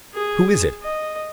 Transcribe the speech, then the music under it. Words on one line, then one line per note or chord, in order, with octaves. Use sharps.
"Who is it?"
G#4
D#5